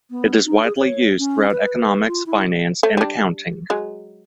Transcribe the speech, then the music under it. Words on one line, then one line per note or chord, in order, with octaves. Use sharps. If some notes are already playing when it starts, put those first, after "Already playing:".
It is widely used throughout economics, finance, and accounting.
B3
D#4
G#4
C#5
C#4
B4
F4
E4
A3
G3 D4
F#3 G#3